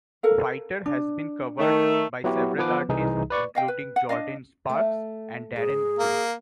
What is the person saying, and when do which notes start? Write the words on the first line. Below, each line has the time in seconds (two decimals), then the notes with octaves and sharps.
"Fighter" has been covered by several artists, including Jordin Sparks and Darren Criss.
0.23 A4 A#4 F5
0.86 D4
1.59 D#3 A3
2.24 F#3 B3 E4 F#4 G4
2.58 F3 B3 B4 D6
2.89 C2 E3 D#4 G#4
3.30 B4 D5 C#6
3.55 D#5 F5 G5
3.68 B4
3.96 F#5
4.09 D4 F4 D#5 F5
4.69 A3
5.56 G#2 G#4
5.99 A#3